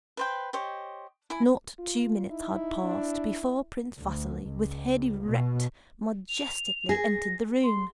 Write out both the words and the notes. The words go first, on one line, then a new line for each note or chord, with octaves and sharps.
Not two minutes had passed before Prince Vasili with head erect majestically entered the room.
B4 C5 G5
G4 C5 C#5 D#5
E4 G#5
F4
D#4 E4
D4
D2
C#2
B2
F7
G#4 A#6
C6